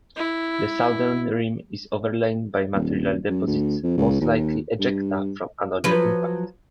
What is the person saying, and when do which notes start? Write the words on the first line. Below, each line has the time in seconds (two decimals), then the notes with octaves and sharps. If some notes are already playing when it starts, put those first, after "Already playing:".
The southern rim is overlain by material deposits, most likely ejecta from another impact.
0.17 E4
2.74 D#1
3.29 F#2
3.47 D2
3.83 F2
3.98 C#2
4.22 D#2
4.80 G2
5.84 F3 F#3 B4